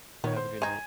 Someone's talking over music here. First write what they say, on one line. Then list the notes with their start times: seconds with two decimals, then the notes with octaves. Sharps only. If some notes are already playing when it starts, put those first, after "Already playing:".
Have a good night.
0.24 A#2 D#3 B3 C#5
0.37 C5
0.62 D#3 D#4 G#5 G#6